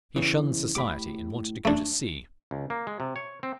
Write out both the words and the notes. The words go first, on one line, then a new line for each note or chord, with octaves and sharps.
He shunned society and wanted to go to sea.
E2 C#3 E3
A2 G4 B5 D6
A3 D4
C#2
A#3
G#3
C3
C#5
C4